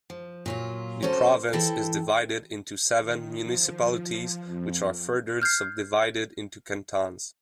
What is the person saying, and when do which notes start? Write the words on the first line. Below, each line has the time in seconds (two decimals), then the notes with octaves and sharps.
The province is divided into seven municipalities which are further subdivided into cantons.
0.10 F3
0.46 A#2 F#3 F4
1.02 F#3 C#4 A4 C5
1.53 E3 E4 A4 G5
3.01 D#3
3.42 F3
4.46 F2
5.42 F6 G6 G#6 C7